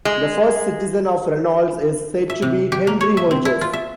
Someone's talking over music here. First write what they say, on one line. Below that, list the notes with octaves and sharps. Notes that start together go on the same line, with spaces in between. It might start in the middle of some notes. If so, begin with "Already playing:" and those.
The first citizen of Reynolds is said to be Henry Hodges.
G#3
E5
C3
G4
A#3
C#5
E5
C4
E4
F4
E5